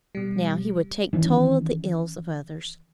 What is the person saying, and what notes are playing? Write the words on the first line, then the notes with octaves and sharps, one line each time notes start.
Now he would take toll of the ills of others.
B2 G3
D#3 E3 G#3 C#4